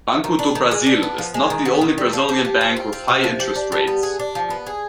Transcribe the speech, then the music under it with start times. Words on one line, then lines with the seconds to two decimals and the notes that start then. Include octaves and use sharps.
Banco do Brazil is not the only Brazilian bank with high interest rates.
0.24 D#3
0.39 D4
0.55 D#3
0.71 G#3
0.86 D4
1.03 B3
1.18 F3
1.34 G#3
1.50 D#3
1.65 B3
1.81 D#3
1.98 G3
2.13 F3
2.29 G4
2.45 F3
2.61 C4
2.77 F4
2.93 C4
3.08 C3
3.24 F3
3.40 G4
3.56 D4
3.72 G3
3.87 B3
4.03 G#4
4.19 D4
4.35 F3
4.50 B3
4.67 G#4